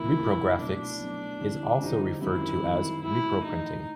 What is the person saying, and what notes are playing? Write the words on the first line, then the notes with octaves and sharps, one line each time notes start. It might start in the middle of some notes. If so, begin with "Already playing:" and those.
Reprographics is also referred to as "Reproprinting".
Already playing: C#2 C3 F3 A#3 E4
C#2 C3 F3 A#3
B1 B2 F#3 A3 C4 D4
B1 B2 F#3 A3 C4
F2 D3 G3 C4 E4
F2 D3 G3 C4 D#4 E4
G#1 F#2 D#3 G3 C4 E4
G#1 F#2 D#3 G3 C4
A2 E3 A3 D4 E4
A2 E3 A3 D4 D#4